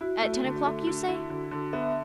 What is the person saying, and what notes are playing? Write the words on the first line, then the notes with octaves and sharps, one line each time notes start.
"At ten o'clock, you say?"
E4 F#4
A3
D3
A3
D3
E4
D3
D3
B3 E5